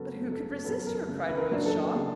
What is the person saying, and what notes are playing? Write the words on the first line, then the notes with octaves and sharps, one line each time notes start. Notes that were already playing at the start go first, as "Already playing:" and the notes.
"But who could resist her?" cried Rose Shaw.
Already playing: C#3 F#3 B3 A4 A#4
C#3
A4
G#4
F#3 B3 A4
A#4
C#3
B4
A#4
F#3 A#3 D4
A4
C#3 G#4